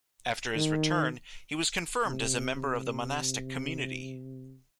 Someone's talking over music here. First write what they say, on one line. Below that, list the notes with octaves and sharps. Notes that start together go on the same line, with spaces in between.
After his return, he was confirmed as a member of the monastic community.
D#3
C3
C3